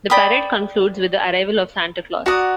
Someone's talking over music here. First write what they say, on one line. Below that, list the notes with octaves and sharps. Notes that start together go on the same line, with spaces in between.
The parade concludes with the arrival of Santa Claus.
D5 G5 B5 D#6
F#4 D5 F#5 A#5 D#6